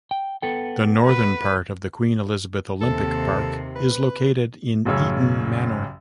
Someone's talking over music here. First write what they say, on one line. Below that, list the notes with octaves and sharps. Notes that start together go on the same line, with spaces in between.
The northern part of the Queen Elizabeth Olympic Park is located in Eton Manor.
G5
B3 A4 G5
B4
D#2 C3 A4
B4
A1 F#2 C#3 C#5 E6